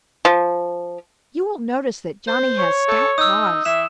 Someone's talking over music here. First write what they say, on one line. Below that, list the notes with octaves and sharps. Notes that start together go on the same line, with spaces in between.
You will notice that Johnny has stout claws.
F3
C5
C#5
A4
D#4 D#6 E6
E3 E5 E7